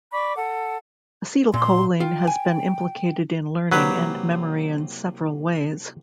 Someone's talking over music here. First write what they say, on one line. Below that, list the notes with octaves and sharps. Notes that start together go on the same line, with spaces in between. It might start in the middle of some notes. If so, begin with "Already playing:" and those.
Acetylcholine has been implicated in learning and memory in several ways.
D5 B5 C#6 D6
A4 F#5
A#2 C6
F4 G5
G#5
C2 F#3 A#3 G4 B4